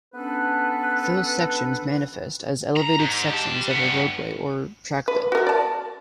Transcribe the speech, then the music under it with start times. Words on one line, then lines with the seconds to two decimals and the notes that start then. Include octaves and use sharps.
Fill sections manifest as elevated sections of a roadway or trackbed.
0.14 B3 C#4 D4 A4 B4
2.76 A#5
2.99 G#2
3.29 G4 A5
3.71 G2 B3
5.08 B4
5.32 F#4 A#4
5.47 D5 A5